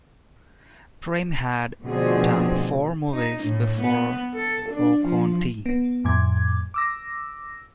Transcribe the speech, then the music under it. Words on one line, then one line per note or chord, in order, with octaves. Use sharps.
Prem had done four movies before Woh Kaun Thi?
B2 D3 F3 A3 C4 G#4
D#4
A2
B3
A4
D4
F3
B3
F2 A2 D6 G#6
D6 E6 A#6